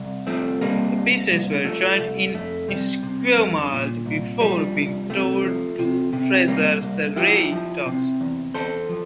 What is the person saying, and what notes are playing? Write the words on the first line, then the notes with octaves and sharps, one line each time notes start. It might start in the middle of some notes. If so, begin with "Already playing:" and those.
The pieces were joined in Esquimalt before being towed to Fraser Surrey Docks.
Already playing: C2
F3 A3 C4
C3 G3 A#3
C2
C2
F3 A3
C2
F2 A3
C3 G3
C3
F2
A#2
C2
F3 G3
C2
C3 A3
F3
C3
C3
C2 G3 A#3
C2
F3 E4 G4
F3
C3
E2
E2 A4 C5
F3